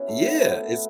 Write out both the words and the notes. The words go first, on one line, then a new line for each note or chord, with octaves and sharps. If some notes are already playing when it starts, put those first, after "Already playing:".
Yeah, it's
Already playing: B3 C#4 E4 F#4
A3
B3
B3